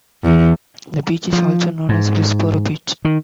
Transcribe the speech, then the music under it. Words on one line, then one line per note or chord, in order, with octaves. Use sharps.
The beach is also known as Westboro Beach.
E2
F3
G#2
D#3